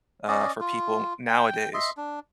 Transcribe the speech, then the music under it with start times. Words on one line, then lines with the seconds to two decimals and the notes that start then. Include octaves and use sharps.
uh, for people nowadays.
0.28 C#4 D5 D#5
0.60 F4
1.28 G5
1.74 D#5 E5 C6
1.97 D4